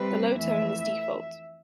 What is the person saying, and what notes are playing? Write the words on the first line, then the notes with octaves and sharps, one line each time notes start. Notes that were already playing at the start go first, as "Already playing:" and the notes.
The low tone is default.
Already playing: C3 G3 C4 B4
F2 E3 A3 E5